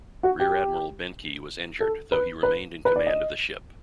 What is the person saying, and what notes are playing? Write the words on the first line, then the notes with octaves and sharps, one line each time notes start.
Rear Admiral Behncke was injured, though he remained in command of the ship.
F#4
G4
A4
B4
B4
B4
D5
D#5